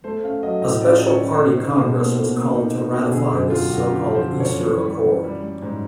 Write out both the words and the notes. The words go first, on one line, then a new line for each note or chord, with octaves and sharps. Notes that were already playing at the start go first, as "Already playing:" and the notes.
A special party congress was called to ratify this so-called Easter Accord.
A3 C5
C#4 F5
F#3 D#5
A2 D#5
C#4 D5
C#4
C#5
C#4
C5
C#4
D#4 C5
B2 C5
A#3 C5
B2
A#3
D#4
B2
B2
D3 G#4
F#2 G4
F#2 F4
F#2 F#4
D3 G4
F3
C5
D3
C#5
F#2
E3
G3
E3
G3
G3
G#2